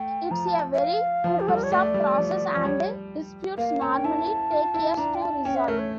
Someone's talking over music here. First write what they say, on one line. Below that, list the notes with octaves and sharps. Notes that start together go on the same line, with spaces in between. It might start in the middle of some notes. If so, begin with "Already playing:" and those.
It's a very cumbersome process and disputes normally take years to resolve.
Already playing: A3 G5
F3 A#5
A5
E5
F5
F3
G4
G3 A4
A#4
C#5
A3 D5
G3
F3
F3
G3 C#5
A#3 F5
C#4 A#5
G5
E4 A5
F4
E4
D4 A#5
G5
A5
C#4 G5
E5
A3 A#4
C#5